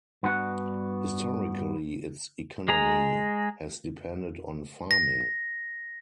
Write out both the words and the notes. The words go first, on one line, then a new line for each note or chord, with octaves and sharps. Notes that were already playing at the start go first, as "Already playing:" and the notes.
Historically, its economy has depended on farming.
G2 B3 D4 F#4 F#5
G#3 G#4 A#5
A#6